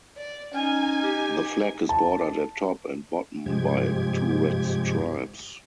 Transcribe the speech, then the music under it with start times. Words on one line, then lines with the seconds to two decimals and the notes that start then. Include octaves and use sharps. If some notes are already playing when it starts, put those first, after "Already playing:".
The flag is bordered at top and bottom by two red stripes.
0.17 D5
0.54 C#4 D#4 G#5
1.03 G4
1.89 A5
3.46 G2 C3 F3 G#3 G4 G#6